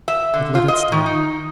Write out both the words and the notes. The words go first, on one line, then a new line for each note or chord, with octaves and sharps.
But let it stand.
E5
D3
F4
D#5
D#3
D#4